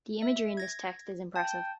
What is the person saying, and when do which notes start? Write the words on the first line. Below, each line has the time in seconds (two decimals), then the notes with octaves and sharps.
The imagery in this text is impressive.
0.22 E5
0.57 G#6 A#6
1.36 G5 A5